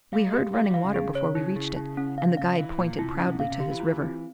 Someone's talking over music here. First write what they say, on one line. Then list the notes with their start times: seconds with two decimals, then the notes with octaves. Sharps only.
We heard running water before we reached it, and the guide pointed proudly to his river.
0.13 G3 F5
0.27 G#3
0.33 G4
0.54 G#3 F5
0.64 G3
0.70 F3
0.74 E3 F5
0.84 C#3
0.94 G#4
1.15 C#5
1.35 C#3 E4
1.55 C#3 G#4
1.76 E4
1.97 C#4
2.18 F5
2.37 F5
2.58 E3 F5
2.78 A#2 F4
2.99 C3 E4
3.12 C#3
3.19 C#4
3.26 C3
3.40 A#2 F5
3.50 C3
3.60 G4
3.71 E3
3.80 F4
4.01 C4